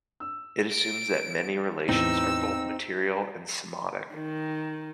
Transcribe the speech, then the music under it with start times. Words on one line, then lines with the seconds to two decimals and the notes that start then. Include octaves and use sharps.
It assumes that many relations are both material and semiotic.
0.20 E6
0.71 D7
1.89 E2 A2 C4 D#4 E6
4.14 D#3